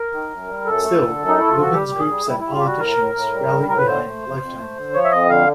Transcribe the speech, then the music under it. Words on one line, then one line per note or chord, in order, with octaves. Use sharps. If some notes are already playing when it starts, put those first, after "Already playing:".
Still, women's groups and politicians rallied behind Lifetime.
Already playing: A#4
D#3
F#2
G3
F#2 A4
A3
D3
F#2
D#4
A3 E4
F3 F4
F#4
G3 G4
A#2
G#4
G3
G3 E4
G3 E4
F4
G4
G3 F#4
A2 A#4
A2
A2
G3
A2
A2 A#4
B4
D3 C5
A3
F2
F2
A3
D3
F3 C#5
E5
F2 D#5
D3 F5